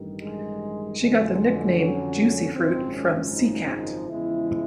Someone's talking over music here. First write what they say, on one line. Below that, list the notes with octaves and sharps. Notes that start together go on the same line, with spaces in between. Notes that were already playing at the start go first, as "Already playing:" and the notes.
She got the nickname "Juicy Fruit" from C-Kat.
Already playing: A1 G2 D#3
G#3
F2 D3 F#3 G#3
C#4
G#1 F#2 C#3 F3 G#3 C4
C#4
D#4
E2 C#3 F3 G#3 E4